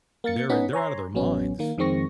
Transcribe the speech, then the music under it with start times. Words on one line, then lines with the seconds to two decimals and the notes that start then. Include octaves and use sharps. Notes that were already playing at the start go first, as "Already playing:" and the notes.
They're in they're out of their minds.
0.24 A#3 F5 A6 C#7
0.49 B3 C#4 D#4 D#5 F#5 B6
0.73 C#5 G#5 A#5 C6
1.14 A1 F#3 B3 C#4
1.59 D#3 A#3
1.78 F2 D#3 G#3 C4 C#6 A#6